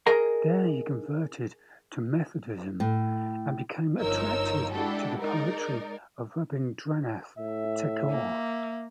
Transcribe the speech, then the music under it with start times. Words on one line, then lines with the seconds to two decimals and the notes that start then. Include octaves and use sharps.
There he converted to Methodism and became attracted to the poetry of Rabindranath Tagore.
0.07 G#4 A#4 D#5 A#5
2.80 A2
4.01 G1 F3 D#4 A#4 C#5 E6
4.71 G#3 D4 E4 F#4 G4 A4
5.18 G#3 D#4 A#4 D5
7.38 A2 E5
8.10 A#3